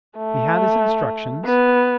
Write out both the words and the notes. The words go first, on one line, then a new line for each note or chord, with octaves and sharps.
He had his instructions.
A3
B3